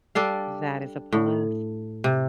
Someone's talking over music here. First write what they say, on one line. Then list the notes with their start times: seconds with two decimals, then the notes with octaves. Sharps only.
That is a plus.
0.15 G3 D4 A4 F5
1.12 A2
2.04 C3